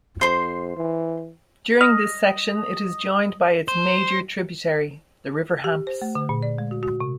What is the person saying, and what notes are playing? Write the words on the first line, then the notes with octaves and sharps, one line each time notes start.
During this section it is joined by its major tributary, the River Hamps.
F2 C5 C6
E3
D#5 F6
C5
G4
C5
A3
D3
A#2
D5
G#3
F#4
F#4
C3